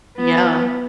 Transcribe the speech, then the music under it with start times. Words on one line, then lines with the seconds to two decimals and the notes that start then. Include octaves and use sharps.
Mm yeah.
0.18 B3